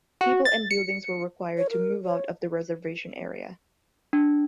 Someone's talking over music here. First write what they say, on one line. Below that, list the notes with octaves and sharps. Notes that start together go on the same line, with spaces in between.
People and buildings were required to move out of the reservation area.
F#4
A6
C#7
C#5
A#4
C#5
D4